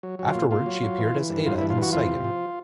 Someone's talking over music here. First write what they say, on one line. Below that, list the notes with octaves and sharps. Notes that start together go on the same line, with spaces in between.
Afterwards she appeared as Aida in Siegen.
F#3
F#3
F4
A#2
A#2 F4
F#3
F#3
E3
E3
G2
G2 F4
E4
E3
F4
E3 F#4
F2 F4
C3
F3